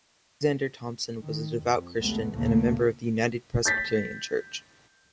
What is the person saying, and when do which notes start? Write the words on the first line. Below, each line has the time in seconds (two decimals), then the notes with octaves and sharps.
Alexander Thomson was a devout Christian and a member of the United Presbyterian Church.
1.20 D#3
1.61 F2
1.98 B1 E2 C3 G#3 A3 B3
2.33 A#1 D#2 C#3 E3 A3 A#3
3.66 G6 A6 B6